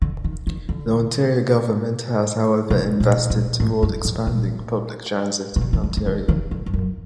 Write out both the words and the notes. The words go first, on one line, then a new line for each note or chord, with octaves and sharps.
The Ontario government has however invested toward expanding public transit in Ontario.
D3
D#3
D#3
D3
C3
A#2
A#2
A2
G2
A2
A#2
C3
D3
D#3
D3
D3
D#3
D#3
D3
G2
F#2